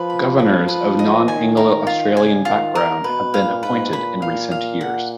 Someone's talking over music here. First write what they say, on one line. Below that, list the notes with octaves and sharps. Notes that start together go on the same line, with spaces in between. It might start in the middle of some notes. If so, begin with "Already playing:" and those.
Governors of non-Anglo-Australian background have been appointed in recent years.
Already playing: F3 B4
B5
B4
B4
D#5
D#3 G#5
A#4
F4
C#3 G#5
D#3 F4
A#4
B2 B4
A#2 F5
G#2 B4
A#2 B5
F5
F5
F#5